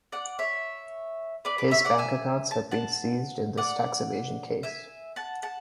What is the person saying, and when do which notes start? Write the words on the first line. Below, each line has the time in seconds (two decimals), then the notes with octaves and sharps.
His bank accounts have been seized in this tax evasion case.
0.12 D5 F#5
0.39 C#5 E5
1.45 B4 D5
1.58 B4 D5
1.71 C#5 E5
1.85 D5 F#5
1.98 E5 G#5
2.51 A5
2.71 F#5 A5
3.58 D5 F#5
4.63 E5 G#5
5.16 F#5 A5
5.43 F#5 A5